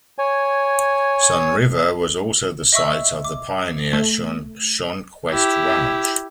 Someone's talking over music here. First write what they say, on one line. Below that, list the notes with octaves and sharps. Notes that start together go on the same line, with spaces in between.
Sunriver was also the site of the pioneer Shonquest Ranch.
C#5 G#5
D#5 E5 C#6 E6
D6
A3
E4 G4